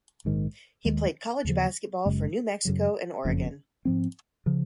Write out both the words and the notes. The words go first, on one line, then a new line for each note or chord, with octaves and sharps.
He played college basketball for New Mexico and Oregon.
A#1 G#2 D#3
D#2 D#3 G#3
D#2 C#3 F3
F#1 F#2 C#3 G#3
F#2 C#3 F#3
F#1 F2 C#3
G#2 F3 C4
C#3 F3